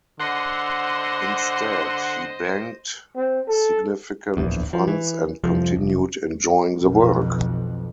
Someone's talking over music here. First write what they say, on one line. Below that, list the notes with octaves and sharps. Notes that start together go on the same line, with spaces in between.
Instead, he banked significant funds and continued enjoying the work.
D3 C5 D#5 F#5 C6
C4
A4
D1 A#1 E2
F3
E3
C2 F2 F3
F1
B1 F2